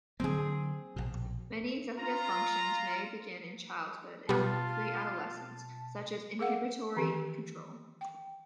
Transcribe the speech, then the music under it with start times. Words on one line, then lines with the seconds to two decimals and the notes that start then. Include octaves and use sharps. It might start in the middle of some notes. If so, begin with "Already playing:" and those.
Many executive functions may begin in childhood and preadolescence, such as inhibitory control.
0.20 D3 F#3 A#3 C4 G#4
0.96 A#1 B2
1.98 F4 A#5
4.29 B2 G3 B3 F4 A5
6.39 G#4 A#4 F5 F#5
6.96 D#3 E3 C4 G4
8.01 G5